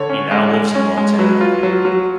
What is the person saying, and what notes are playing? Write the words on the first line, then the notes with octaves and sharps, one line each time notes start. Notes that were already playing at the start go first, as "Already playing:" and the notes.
He now lives in Montana.
Already playing: D3 C#5
C#4
G#3
G#3
C#4
G#3
F#3 B4
F4
F#3
F#3